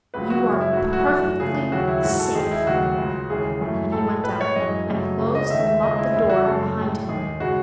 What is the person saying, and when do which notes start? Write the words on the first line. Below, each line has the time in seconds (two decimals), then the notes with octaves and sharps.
"You are perfectly safe," and he went out, and closed and locked the door behind him.
0.14 C#2 C#3 F#3 B4
0.30 F#4
0.45 F#2 C#3 G#3 E4
0.61 E4
0.73 F#4
0.77 G#2 F#3 A3 E4
0.93 F#4
1.08 F#2 E3 A3
1.40 C#2 C#3 E3 A3 G#4
1.72 D#2 C#3 F#3 F#4
1.87 E4
2.03 G#2 E3 G#3 F#4
2.19 A4
2.34 D#2 D#3 G#3 G#4
2.51 E4
2.66 D#2 C#3 F#3 A3 F#4
2.98 C#2 C#3 G#3
3.30 D#2 C#3 E3 G#3 G#4
3.61 F#2 E3 A3
3.92 A2 G#3 A4
4.24 A2 G#3 B4
4.41 C#5
4.55 F#2 E3 G#3 D#5
4.87 F#2 C#3 F#3 A3
5.19 C#2 C#3 G#3
5.35 D#5
5.50 D#2 D#3 A3 E5
5.66 E5
5.83 C#2 C#3 G#3 D#5
5.98 E4
6.13 E2 C#3 E3 E4
6.30 F#4
6.45 F#2 C#3 G#3 A4
6.77 A2 G#3
7.08 D#2 D#3 G#3 G#4
7.40 C#3 G#3 F#4